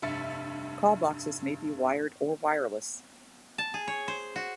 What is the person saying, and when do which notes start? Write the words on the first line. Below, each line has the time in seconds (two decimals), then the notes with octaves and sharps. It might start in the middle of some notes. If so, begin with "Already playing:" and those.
Call boxes may be wired or wireless.
0.02 F1 G2 E5 A6 C#7
3.58 A5
3.74 G#4
3.88 C#5
4.08 C5
4.36 F#4